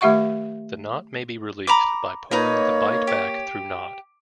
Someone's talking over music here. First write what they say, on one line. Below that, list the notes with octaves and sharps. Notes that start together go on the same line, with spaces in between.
The knot may be released by pulling the bight back through knot.
D#3 A3 G4 E5 F#5 C#6
A#5 B5 D6
A#3 D#4 B4 C#5 D#5
G4